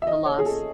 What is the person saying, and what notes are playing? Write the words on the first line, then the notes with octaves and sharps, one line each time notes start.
The loss.
E5
D#5
C#5
G#4
A4